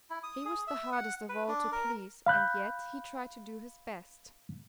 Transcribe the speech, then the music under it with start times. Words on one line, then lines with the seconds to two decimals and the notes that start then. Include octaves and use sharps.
He was the hardest of all to please: and yet he tried to do his best.
0.10 E4
0.23 D#6
0.45 G#4
0.67 E5
0.92 F#5
1.29 B4
1.48 D4
1.72 A#4
2.26 F5 B5 F#6 G6